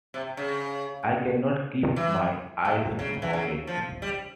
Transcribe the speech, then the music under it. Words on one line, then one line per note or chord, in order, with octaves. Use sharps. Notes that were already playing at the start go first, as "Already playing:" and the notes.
I cannot keep my eyes from it.
C3
C#3
E3
C3
C#3
E3
C#3
F3
G3